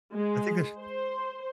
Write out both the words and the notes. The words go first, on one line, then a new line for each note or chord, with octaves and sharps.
I think there's
G#3
C5